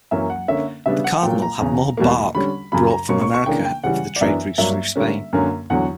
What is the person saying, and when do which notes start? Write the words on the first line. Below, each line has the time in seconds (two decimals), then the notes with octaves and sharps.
The cardinal had more bark brought from America over the trade routes through Spain.
0.11 F#2 E3 A#3 C#4 E5
0.30 F#5
0.48 D3 A#3 C#4 E5
0.86 C#3 G3 B3 D4 E5
1.04 F#5
1.23 A#2 F#3 A#3 G5
1.42 A#5
1.60 E2 C#3 E3
1.97 E2 B2 G3 A#3
2.35 D3 G3 C#4 B5
2.72 F#2 C#3 F#3 B5
2.90 A#5
3.09 B2 A#3 C#4 C#6
3.22 C#6
3.34 C#6
3.46 C#3 E3 A#3 D4 G5
3.65 G5
3.83 C#3 E3 G3 F#5
4.16 D5
4.21 F#2 E3 B3 D4 E5
4.58 G2 F#3 A#3 D4 E5
4.96 D3 G3 A#3 C#4
5.33 F#2 D3 A#3 C#4
5.70 E2 D3 F#3 F#5